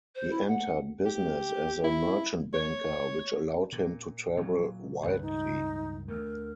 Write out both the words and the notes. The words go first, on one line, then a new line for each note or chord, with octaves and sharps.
He entered business as a merchant banker, which allowed him to travel widely.
C5
E4
F#5
G4
E4
C#5
A#2
A#2 F#3
C#2 G2 D#3 B4
D#4
D2 A3 A#4